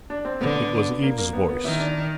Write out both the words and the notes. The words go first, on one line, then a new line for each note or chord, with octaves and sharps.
It was Eve's voice.
D4
C4
D3 B3
A#3
A#3
B3
B3
D#3 E4
D4